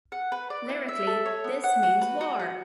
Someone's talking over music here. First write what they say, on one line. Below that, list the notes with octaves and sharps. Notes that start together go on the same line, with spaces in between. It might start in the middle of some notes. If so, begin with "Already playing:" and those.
Lyrically, This Means War!
F#5
B4
D5
E4
E5
A4
C#5
B3
F#5
F#4
B4
F#4
F#4